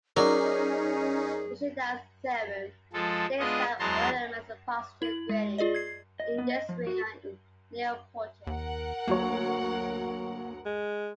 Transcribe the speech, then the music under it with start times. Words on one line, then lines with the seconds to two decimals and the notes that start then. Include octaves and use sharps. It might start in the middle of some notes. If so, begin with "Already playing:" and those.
Nishida's theorem states that all elements of positive grading in this ring are nilpotent.
0.16 F#3 C#4 D#4 G#4 A#4 D5
2.93 F3 G#3 A4
3.40 G#3 B3 D4 F4 D#5
3.79 E2 F#3 G#3 A5 A#5 C6
5.02 E4 F#7
5.29 G#3
5.58 F4 G#4 D5 D#5
5.75 G#6 C7
6.20 D#5
6.38 B3
6.50 D#5
6.69 F3
6.87 F#4
8.47 D#2 A#4 F#5
9.08 D2 F#3 A#3 C#5
10.66 G#3